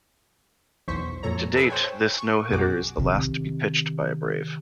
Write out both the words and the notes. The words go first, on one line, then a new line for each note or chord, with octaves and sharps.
To date, this no-hitter is the last to be pitched by a Brave.
B1 E2 C5 C#6 B6
F2 A#2 A4 C#5 A#5
G#4 A4 B4 E5
C5 C#5 G5 G#5
C#6
B1 F#2 F#4 G#4 D6
C3 D#3